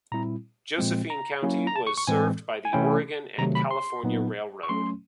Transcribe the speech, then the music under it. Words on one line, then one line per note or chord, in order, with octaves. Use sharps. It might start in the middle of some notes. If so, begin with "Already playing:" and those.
Josephine County was served by the Oregon and California Railroad.
A#2 G3 C4 E4 A#5
A#2 F3 G#3 C4
A#5
F#3 A#3 C#4 E4
A#5
A5
C#6
C#6
A2 E3 G#3 C4 G#5
G#5
C3 E3 A3 C#4 E4 G5
C3 D#3 F#3 A3 A#5
B5
C6
A#2 F#3 B3 D#4
C#6
F#3 A3 C#4 C6